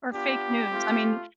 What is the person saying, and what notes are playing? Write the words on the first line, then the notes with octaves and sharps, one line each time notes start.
Or fake news, I mean,
B3 D4 F4 G4
A3 C4 F4